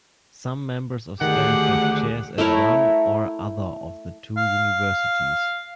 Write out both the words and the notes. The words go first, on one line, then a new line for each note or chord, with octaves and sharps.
Some members of staff have chairs at one or other of the two universities.
D2 D3 D#3 G4 G#4 F#5
A3 E4 A#4 C#5
F5